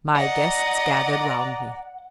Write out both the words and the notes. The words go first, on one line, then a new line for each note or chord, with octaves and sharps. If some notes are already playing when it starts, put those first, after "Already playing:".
My guests gathered round me.
D5 D#5 F#5 A#5